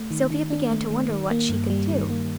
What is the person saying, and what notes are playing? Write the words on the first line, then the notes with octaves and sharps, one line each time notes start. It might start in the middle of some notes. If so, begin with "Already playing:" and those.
Sylvia began to wonder what she could do.
Already playing: A3
D#3
D#3
D4
A3
D#3
D#3
A#3
G2
G3
D#3
A#3